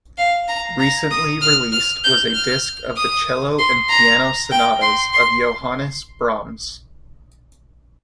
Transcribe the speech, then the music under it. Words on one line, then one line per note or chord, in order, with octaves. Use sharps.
Recently released was a disc of the cello and piano sonatas of Johannes Brahms.
F5
A#5
A#5
D#6
F6
F6
G6
F6
D#6
C6
A#5
G5
C6
C6